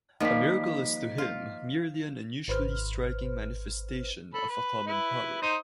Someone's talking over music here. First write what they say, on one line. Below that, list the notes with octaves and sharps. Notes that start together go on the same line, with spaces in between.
A miracle is to him merely an unusually striking manifestation of a common power.
D#3 F3 G3 A#3 D#5 B6
F4
G#1 B4 C5 F6
A4 B5
B4
E4 B4
D#4 C5 D#6